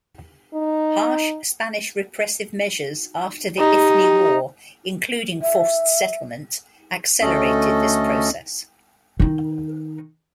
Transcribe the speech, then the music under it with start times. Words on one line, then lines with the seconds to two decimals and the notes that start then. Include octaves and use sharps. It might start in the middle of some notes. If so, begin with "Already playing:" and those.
Harsh Spanish repressive measures after the Ifni War, including forced settlement, accelerated this process.
0.54 D#4
3.59 D#4 G4
5.42 E5
7.21 D2 A3 C#4 A4 D#5
9.20 D#3 D#4